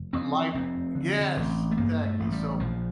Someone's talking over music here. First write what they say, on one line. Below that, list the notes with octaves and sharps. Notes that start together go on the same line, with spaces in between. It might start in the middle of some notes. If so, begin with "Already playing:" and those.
l life Yes, exactly. So,
Already playing: F1
F2 C4
F1 C4
D3
A1
A3
G2 A#3
A3
A1
G3
A#1 F3